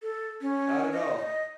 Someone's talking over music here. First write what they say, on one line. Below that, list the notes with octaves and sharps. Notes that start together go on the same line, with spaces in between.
Not at all.
A4
C#4
D#5
D#5